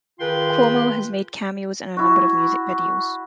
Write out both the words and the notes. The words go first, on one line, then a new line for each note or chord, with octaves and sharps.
Cuomo has made cameos in a number of music videos.
D#3 F4 G#4 B4 G5 C6
E4 F#4